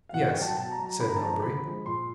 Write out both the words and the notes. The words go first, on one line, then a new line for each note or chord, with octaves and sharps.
"Yes," said Melbury.
F5
B2 F#5
G5
F#3
A5
B2 A5
A#5
F#3
A#5
D3 B5
A#5
A5
F3 G#3 A#5
D3 B5
F3 G#3
A#2 C6